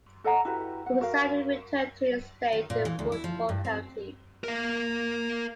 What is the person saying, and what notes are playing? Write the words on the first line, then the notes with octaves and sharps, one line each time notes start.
He resigned and returned to his estate in Woodford County.
A4 D#5 F#5 A#5
E4 F#4 G4 B4
F#5
F#4 A#4 F5
D#3
A#2
E3
D2
E4
F3
G2
C4
A#4 F5